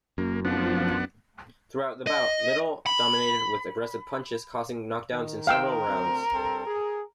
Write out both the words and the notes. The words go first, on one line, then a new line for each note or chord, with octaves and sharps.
Throughout the bout, Liddell dominated with aggressive punches, causing knockdowns in several rounds.
F#1 F#2 A#3
F1 F3 B3 D4 F#5
D#5
B5
D#3
A#4 F5 G5 E6
D2 C4
G2 C4 A4
G#4